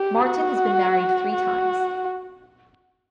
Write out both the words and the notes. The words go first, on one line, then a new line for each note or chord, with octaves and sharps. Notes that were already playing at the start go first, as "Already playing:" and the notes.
Marton has been married three times.
Already playing: G4
F#4
F#4